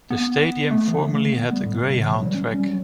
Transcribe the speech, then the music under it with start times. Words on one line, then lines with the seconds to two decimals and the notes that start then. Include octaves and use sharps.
The stadium formerly had a greyhound track.
0.10 B3
0.71 A3
0.88 E3
0.99 D3
1.12 A3
1.32 B3
1.53 G3
1.66 A2
1.74 B2
1.94 C#3
2.04 E3
2.14 F#3
2.25 G3
2.35 C#4
2.54 G3
2.66 F#3